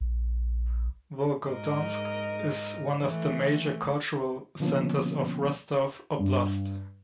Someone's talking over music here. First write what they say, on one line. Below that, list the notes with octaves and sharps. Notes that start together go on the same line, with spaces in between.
Volgodonsk is one of the major cultural centers of Rostov Oblast.
A#1
G#2 A#4 D#5
E3 A3
B2 D3 F3 A#3 B3 C#4
G2